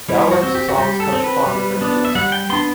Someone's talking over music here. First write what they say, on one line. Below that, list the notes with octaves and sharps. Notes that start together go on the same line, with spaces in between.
Dowland’s songs touch upon different themes.
G3 E4
F#4
C4
G4
F#4
G3 G4
A4
C4
B4
G3
B3 D4
E5
G3 F#5
G5
B3 D4 C6